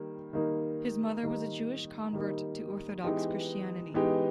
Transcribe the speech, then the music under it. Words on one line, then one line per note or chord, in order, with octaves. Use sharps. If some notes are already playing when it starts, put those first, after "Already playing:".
His mother was a Jewish convert to Orthodox Christianity.
Already playing: D#3 G3 A#3
D#3 G3 A#3 D#4
D#3 G3 A#3 D#4
D#3 G3 A#3 D#4
E3 G#3 B3 D#4 G4
E3 G#3 B3 D#4 G4